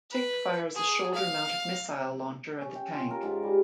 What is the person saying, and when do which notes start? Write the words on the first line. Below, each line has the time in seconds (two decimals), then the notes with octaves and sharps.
Tick fires a shoulder-mounted missile launcher at the tank.
0.12 B4
0.75 G#4
1.14 F5
2.61 C#4
2.75 G5
2.94 F4
3.11 A#4
3.23 G#2
3.43 G3